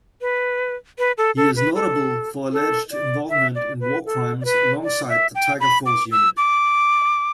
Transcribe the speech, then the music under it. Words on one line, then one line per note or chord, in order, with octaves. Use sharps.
He is notable for alleged involvement in warcrimes alongside the Tiger Force unit.
B4
B4
A4
A4
B4
A4
A4
D5
E5
D5
B4
A4
D5
B4
D5
E5
G5
B5
D6
E6
D6